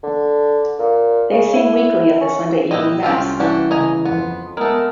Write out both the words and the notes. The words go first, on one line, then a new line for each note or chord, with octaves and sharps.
They sing weekly at the Sunday evening Mass.
D3
A#2
C#3
E4
C#4
A#2 E3 G4 D#5
C2 C4 C#4 F4 G4
E3 D4 F#4 G4
C#3 D#5 G#5 A#5
F2 B3
G#3 A3 B3 A#4